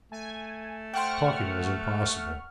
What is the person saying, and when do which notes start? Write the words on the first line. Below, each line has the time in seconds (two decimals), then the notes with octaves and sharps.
Talking was impossible.
0.12 A3 G#5
0.94 C5 F#5 G5 C#6 F6